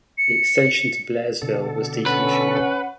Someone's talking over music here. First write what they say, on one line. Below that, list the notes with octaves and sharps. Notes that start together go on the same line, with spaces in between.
The extension to Blairsville was decommissioned.
C#7
B2 D3 A4
C#4 B4 F#5